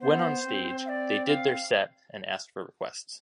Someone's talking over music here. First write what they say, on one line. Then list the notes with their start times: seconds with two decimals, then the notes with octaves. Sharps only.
When on stage, they did their set and asked for requests.
0.01 B3 C5
0.44 C4
0.85 F5
0.88 D5
1.27 F5